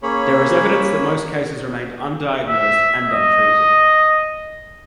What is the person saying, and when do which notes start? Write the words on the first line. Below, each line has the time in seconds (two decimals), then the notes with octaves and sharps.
There is evidence that most cases remain undiagnosed and untreated.
0.03 A#3 C#4 G#4 C#5 B5
2.48 E5
3.07 D#5